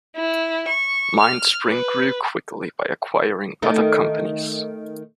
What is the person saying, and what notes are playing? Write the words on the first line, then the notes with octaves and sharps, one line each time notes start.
MindSpring grew quickly by acquiring other companies.
E4
C#6
F6
B4
D#3 A3 D#4